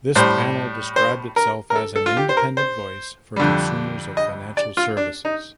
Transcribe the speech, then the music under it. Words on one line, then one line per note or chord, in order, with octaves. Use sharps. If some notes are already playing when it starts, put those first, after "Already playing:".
This panel described itself as "An Independent Voice for Consumers of Financial Services".
A2 G3 C5
C5
A#4
A#4
A4
A4
F4
G4
C5
A#4
C5
F2 D3 G3
D#5
D5
F4
D4
D#4